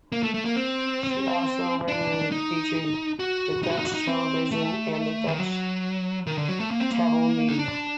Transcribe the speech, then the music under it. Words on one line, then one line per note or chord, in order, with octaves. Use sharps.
She is also regularly featured on Dutch television and in Dutch tabloid media.
A#3
A3
A3
A#3
C4
D4
D#4
F#4
D#4
F#4
D#4
F#4
D#4
C4
A3
D#3
F#3
D#3
D3
F#3
A3
A#3
C4
A#3
D#4
D4